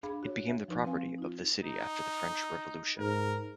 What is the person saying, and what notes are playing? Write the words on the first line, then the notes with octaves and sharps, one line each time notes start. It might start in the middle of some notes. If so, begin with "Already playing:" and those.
It became the property of the city after the French Revolution.
D4 G#4 F5 B5
F#4 C#5
E5
F3 D#4 B4
C4 F4 B4 F5 G#5
D#4 F4
D#4
G#2 A#4